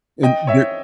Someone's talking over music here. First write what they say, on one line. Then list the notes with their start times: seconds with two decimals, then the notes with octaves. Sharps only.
and there
0.23 D#5 G5
0.47 C#5 E5